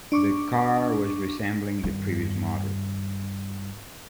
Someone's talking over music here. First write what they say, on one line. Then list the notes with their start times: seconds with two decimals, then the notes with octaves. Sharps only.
The car was resembling the previous model.
0.12 D4 C#6 D6
1.84 G2 D#3